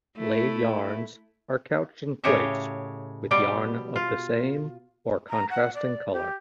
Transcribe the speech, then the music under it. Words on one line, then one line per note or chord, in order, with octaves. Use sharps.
Laid yarns are couched in place with yarn of the same or contrasting colour.
A3 E4
A2 C#3 G4 C#5 D#5 E5
B2 G3 G4 G5
F4
A#5
F#5
D5
G4